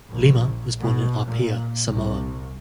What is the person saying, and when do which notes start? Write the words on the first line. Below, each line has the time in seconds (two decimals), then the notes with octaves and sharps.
Lima was born in Apia, Samoa.
0.11 A#1
0.79 B2
1.24 A#2
1.87 C2